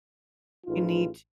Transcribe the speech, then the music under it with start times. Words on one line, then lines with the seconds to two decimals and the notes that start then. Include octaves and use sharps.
you need t"
0.67 A1 D#4 F4 G#4 B4